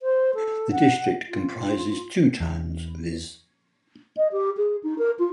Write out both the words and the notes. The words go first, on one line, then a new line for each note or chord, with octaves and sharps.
The district comprises two towns viz.
C5
A4
F#5
F4
E2
D#5
G4
G#4
D#4
A#4
F4